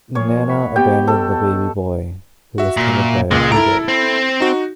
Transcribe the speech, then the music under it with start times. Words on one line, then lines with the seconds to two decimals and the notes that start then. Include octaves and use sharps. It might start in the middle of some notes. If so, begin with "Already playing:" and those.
Nana abandoned the baby boy, who was tended by a he-goat.
0.15 A#2 F3 C#5
0.49 F#5 B5 C#6
0.76 B3 G4 D#5 G5
1.07 A4
2.58 F#4 E5
2.77 A#2
3.31 C#2 A#2 G#3
3.52 E4 A4 A#4 D7
3.88 C4
4.40 D#4 F#4